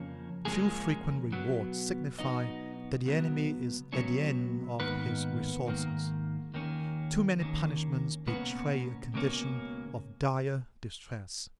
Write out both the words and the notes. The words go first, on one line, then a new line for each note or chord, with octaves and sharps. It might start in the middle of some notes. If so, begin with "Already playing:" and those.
Too frequent rewards signify that the enemy is at the end of his resources; too many punishments betray a condition of dire distress.
Already playing: F2 C#3 F3 A#3 C#4
F2 C#3 F3 G#3 A#3 C#4 G#4
B2 F#3 B3
B2 F#3 B3 D#4 D#5
C#2 B2 F#3 B3
C#2 B2 F#3 B3 C#4 C#5
G#2 D#3 A#3 B3 B4
G#2 D#3 A#3
D#2 D#3 A#3 C#4
D#2 D#3 A#3 C#4
C#2 B2 A#3 B3 C#4 B4
C#2 B2 A#3 C#4